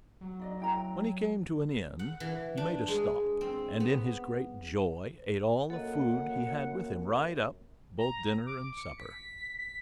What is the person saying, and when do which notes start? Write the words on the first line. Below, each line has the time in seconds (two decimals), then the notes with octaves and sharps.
When he came to an inn, he made a stop, and in his great joy ate all the food he had with him right up, both dinner and supper.
0.21 F#3
0.39 D#4 D5 D#5
0.60 E4 G5 A#5
1.99 F#5
2.20 E3
2.57 D4
2.88 G#3
3.41 C4
3.80 B3
5.70 F#2 A#3 A4 D#5 F5 F#5
7.98 A#5
8.46 D6
8.77 C#7
8.98 B6
9.58 B6